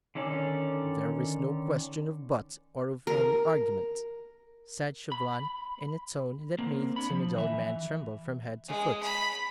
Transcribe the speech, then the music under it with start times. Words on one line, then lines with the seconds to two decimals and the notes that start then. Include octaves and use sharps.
"There is no question of 'but' or of any argument," said Chauvelin, in a tone that made the timid old man tremble from head to foot.
0.15 D3 D#3 C#4 A4 D5
3.07 A#4
5.12 B5
6.58 A#3 C4
6.96 D4 B5
7.09 F3
7.36 E3 E5
8.68 G#3
9.03 B5